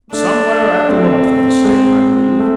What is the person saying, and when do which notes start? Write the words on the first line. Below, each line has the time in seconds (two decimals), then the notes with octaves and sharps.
"Somewhere at the north of the State, I believe."
0.13 A3 D4
0.89 A3 C4
1.64 G#3
2.39 A3